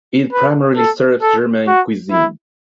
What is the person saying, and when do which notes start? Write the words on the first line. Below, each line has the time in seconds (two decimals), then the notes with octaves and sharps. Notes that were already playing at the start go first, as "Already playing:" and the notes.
It primarily serves German cuisine.
0.32 B4
0.77 A4
1.22 A4
1.67 F#4
2.11 E4